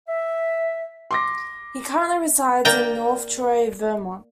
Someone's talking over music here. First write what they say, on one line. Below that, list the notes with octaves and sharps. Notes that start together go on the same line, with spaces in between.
He currently resides in North Troy, Vermont.
E5
C6 D6 A#6
A#3 D5 G5 A#5